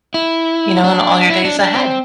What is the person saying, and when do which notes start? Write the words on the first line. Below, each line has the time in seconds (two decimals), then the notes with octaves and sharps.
you know, in all your days ahead.
0.14 E4
0.84 D4
1.30 E4
1.45 D4
1.59 D4
1.74 C4